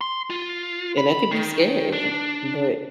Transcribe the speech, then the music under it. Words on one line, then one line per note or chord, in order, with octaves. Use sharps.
and that could be scary, but,
C6
F4
B5
D#3
D4